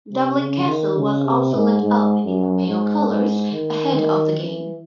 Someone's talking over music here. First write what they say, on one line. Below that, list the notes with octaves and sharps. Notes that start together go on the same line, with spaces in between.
Dublin Castle was also lit up in the Mayo colours ahead of the game.
C3
C#3
D#3
C#3
C3
G#2
G#2
F#2
G#2
G#2
D#3
D#3
E3